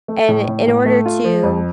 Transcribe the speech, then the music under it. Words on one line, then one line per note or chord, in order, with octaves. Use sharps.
And i in order to
A3
A2
A2
A2
A3
F4
F3
F2